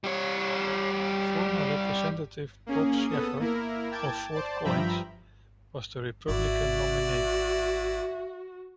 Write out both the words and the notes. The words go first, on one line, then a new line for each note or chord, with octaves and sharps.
Former Representative Bob Schaffer of Fort Collins was the Republican nominee.
G3 C#5
A#3 C#4 G#4
B3 A4 D#6
A#3 E4 A#4
G5 A5 D6 G#6
C5 D5 A5
G2 F3 E5 G5 A#5 B5
G#1 E4 F#4 D5 E5